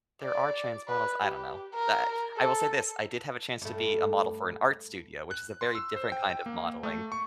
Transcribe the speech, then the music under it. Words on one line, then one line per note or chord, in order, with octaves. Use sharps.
there are trans models I don't know. Da I will say this, I did have a chance to be a model for an art studio, which is a very different kind of modeling.
D5
B4
G4
A#4
A4
G2 A3
F#6
C6
E6
C5
G5
G5
A#3
A3
C#6